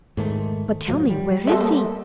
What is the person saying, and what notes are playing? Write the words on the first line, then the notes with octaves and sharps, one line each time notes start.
But tell me where is he?
G#2 D#3 A3
A2 F3 F#3
G3
C4 A4 E5
A#3 A4